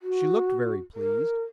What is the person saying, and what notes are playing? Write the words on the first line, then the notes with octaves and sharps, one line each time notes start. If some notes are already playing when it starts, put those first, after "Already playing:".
She looked very pleased.
F#4
A#4